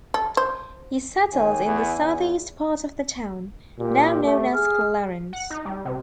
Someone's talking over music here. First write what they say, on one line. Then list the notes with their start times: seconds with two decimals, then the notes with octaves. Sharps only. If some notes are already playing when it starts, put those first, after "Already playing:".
He settled in the southeast part of the town, now known as Clarence.
0.14 A4
0.37 C5
1.32 D#2 G#5
1.65 E2
2.00 E2
3.78 A#2 G4
4.24 A3
4.54 G#4 F6
5.33 F#5
5.50 D#4
5.65 G3
5.85 C3